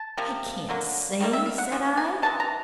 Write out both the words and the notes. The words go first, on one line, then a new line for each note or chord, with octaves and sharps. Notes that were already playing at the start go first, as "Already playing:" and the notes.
"I can't sing," said I.
Already playing: A5
C3 F3 A#3
D3 F#3 A#3
D#3 G3 A#3
E5
F5
F#5
C#3 F3
G#5
C3 E3 G#3 A5
A#5